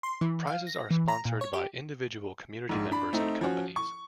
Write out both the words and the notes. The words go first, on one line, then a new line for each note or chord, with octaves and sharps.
Prizes are sponsored by individual community members and companies.
C6
E3
F5
A#6
E3
A#5
A#2
C#5
G4
A#1 G#2
D4 B5
A3 C4 D#4
F3 C#4 F#4
C#6